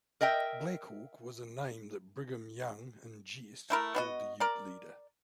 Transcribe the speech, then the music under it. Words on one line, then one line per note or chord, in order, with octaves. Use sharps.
"Black Hawk" was a name that Brigham Young, in jest, called the Ute leader.
A#4 D#5 E5 G5
A3 E4 A#4
B3 F#4 D#5
A#4 D5